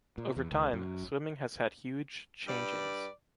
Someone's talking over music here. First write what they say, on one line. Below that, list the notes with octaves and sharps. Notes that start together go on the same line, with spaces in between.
Over time swimming has had huge changings.
A#2
E2
C#2
F#2
G2 B4 D5